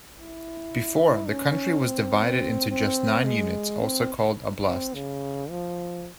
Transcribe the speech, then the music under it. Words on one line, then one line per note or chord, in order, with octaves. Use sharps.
Before, the country was divided into just nine units, also called "oblast".
E4
C#4
C4
C4
G#3
C4
C4
C#3
F3